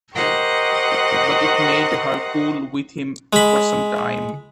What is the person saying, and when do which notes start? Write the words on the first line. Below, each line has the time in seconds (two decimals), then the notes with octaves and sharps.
But it made her cool with him for some time.
0.15 G4 A#4 C5 D#5 F#5 C#6
3.33 G#3 B5